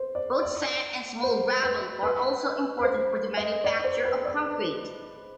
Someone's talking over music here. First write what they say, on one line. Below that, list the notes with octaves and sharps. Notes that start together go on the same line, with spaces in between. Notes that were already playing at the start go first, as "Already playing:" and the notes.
Both sand and small gravel are also important for the manufacture of concrete.
Already playing: B4 C5
D5
D5
C5
B4
B4
B4
C5
D#5
D5
C5
B4
D5